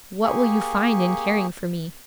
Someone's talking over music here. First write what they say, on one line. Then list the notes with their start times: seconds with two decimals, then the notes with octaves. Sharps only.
What will you find in caring for me?'
0.24 A#3 G4 G#4 C#6